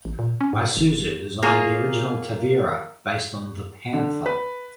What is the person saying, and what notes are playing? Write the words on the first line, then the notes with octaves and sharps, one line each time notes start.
Isuzu designed the original Tavera, based on the "Panther".
A1
A#2
C#4
G#2
F#1
A#3 F4 G#4 C#5
D3
B4